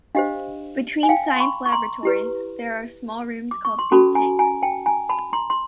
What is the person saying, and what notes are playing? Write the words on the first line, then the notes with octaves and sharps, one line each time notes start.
Between science laboratories, there are small rooms called think-tanks.
D4 G4 C5 D#5 F5
G#5
F5 G5
C6
B5 C#6
C#6
A#5 C6
E4 G4 B4
D6
C#6
C6
C#4 F#4 A4 A5 B5
G#5 A#5
G#5 A#5
G5 A5
G#5 A#5
A5 B5
A#5 C6
C6